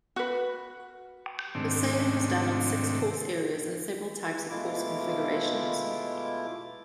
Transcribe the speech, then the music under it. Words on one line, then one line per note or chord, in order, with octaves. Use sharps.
The sailing was done on six course areas and several types of course configurations.
F#4 B4
G#2 C3 D#3 A3 C4 D4
B2 G#3 A3 E4 F4 D6